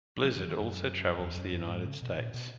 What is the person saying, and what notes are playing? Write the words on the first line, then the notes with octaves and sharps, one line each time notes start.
Blizzard also travels the United States.
F#3
E3
D#3
F#2
E2
F#2
F#2
G#2
C#3
B2
A#2
B2